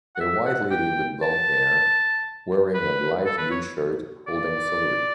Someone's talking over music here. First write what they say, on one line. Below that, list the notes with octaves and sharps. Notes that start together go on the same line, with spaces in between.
A white lady with blondhair wearing a light blue shirt holding celery.
F#5
E5
F#5
G5
A5
B4
A4
B4
C#5
D5